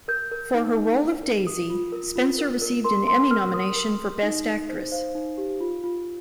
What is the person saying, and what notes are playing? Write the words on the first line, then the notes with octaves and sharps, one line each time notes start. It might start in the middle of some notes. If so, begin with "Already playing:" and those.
For her role of Daisy, Spencer received an Emmy Nomination for Best Actress.
A#4 G6
A#4
D#4
D#4
D#4
A#4
A#4 D#6
F4
A#4
F4
A#4
A#4
A#4 C6
A#4 C6
A#4 F6
A#4 D#6
A#4
A#4
D#4
D#4
C5
C5 F5
D#4
G4
F4
F4